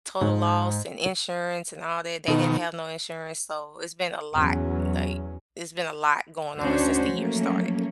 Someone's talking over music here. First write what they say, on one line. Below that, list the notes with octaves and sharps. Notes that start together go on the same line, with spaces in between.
total loss and insurance, and all that. They didn't have no insurance, so it's been a lot, n like, it's been a lot going on since the year started,
G#2
B2 D#3 D#4 A4
E2 F#3 C#4
D2 C#4 D4 F#4 C5
F3 F#3 A3 A#3 C#4